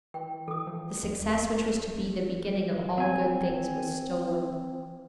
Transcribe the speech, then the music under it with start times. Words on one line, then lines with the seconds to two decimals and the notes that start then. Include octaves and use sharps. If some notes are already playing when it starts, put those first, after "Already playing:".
The success which was to be the beginning of all good things was stolen.
0.14 E3 G5
0.48 E3 A4 D#6
0.67 F3
1.03 D#2
2.98 C4 G#5